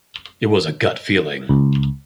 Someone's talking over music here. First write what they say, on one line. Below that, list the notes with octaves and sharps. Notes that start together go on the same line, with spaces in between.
It was a gut feeling.
C#2